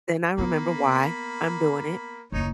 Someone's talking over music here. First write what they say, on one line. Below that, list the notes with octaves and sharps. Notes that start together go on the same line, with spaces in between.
then I remember why I'm doing it.
A#3 B3 E4 B5
F#1 D#2 D#4 C#5